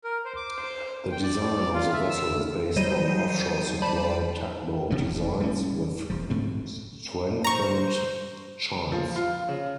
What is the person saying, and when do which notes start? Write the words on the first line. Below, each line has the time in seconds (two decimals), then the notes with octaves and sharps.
The design of the vessel is based on offshore supply-tugboat designs, with strengthened chines.
0.04 A#4
0.25 C5
0.36 D6
0.57 C5
1.11 G5
1.23 D5
1.42 D5
1.73 F4
1.93 E5
2.09 E6
2.76 F#3 G3 C5 D#5 G6 D#7
3.82 C5 D5 A5 B5
4.90 C3 F3 F#3
5.06 F1
5.40 G3 C#4
6.10 E1 F3
6.30 D2 G#2 A3 C4
7.44 C5 A#5 C#6
8.92 F3
9.16 F4
9.49 C#3